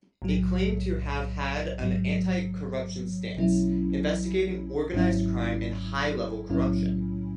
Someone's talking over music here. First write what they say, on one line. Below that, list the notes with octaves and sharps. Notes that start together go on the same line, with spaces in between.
It claimed to have had an anti-corruption stance, investigating organized crime and high-level corruption.
B1 A2 F#3
A1 G#2 F#3
B1 B2 F#3 C#4 E4
G#1 G#2 F#3 C#4 E4
B1 A2 F#3 C#4 E4